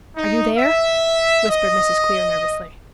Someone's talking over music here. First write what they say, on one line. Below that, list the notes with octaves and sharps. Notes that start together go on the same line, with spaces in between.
"Are you there?" whispered Mrs. Clear nervously.
D#4
E5
D#5